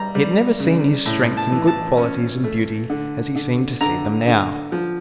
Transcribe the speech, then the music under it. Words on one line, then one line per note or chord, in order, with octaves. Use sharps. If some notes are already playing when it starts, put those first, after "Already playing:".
He had never seen his strength and good qualities and beauty as he seemed to see them now.
Already playing: G3 A#5
G3
C#3
A2
A5
E3
A5
C#4
A3
D3
D3
D3 A#5
D3
F3